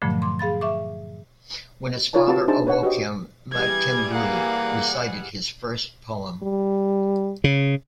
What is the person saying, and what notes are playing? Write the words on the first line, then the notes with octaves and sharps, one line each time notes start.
When his father awoke him, Magtymguly recited his first poem.
G2 A#2 D3 F3 F#3 A3
C6 D6
G#4 F5 B5 A6
E5 C#6 D6
D#4 F4 A#4 C#5 D5 A5
C4 F#4 G4 B4 F5 A5
D4 D#4 G#4 C5 E5 A5
B4 C#5 F#5
F#4 G4 B4 C5 D#5
E3 G3 G#4 G#6
A#3 F#5
G3
C#3